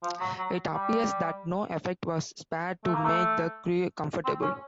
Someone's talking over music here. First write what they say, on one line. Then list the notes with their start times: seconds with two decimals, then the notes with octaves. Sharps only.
It appears that no effort was spared to make the crew comfortable.
0.03 F3
0.20 F#3
0.38 F#3
0.73 G3
2.84 A3
2.94 A#3
3.05 A3
4.25 C4
4.42 C#4